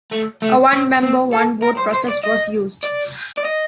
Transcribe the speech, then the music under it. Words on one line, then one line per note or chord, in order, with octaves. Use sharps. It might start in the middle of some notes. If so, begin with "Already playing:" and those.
A One member, one vote process was used.
A3
A3
C4
C4
A4
A#4
C5
C5
D5
D#5
D5
D5
D#5